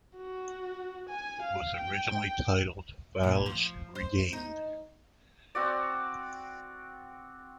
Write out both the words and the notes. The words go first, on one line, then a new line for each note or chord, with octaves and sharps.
It was originally titled, "Valis Regained".
F#4
G#5
F5
G5
A#2
F3
C5
D#4
C4 F#4 D5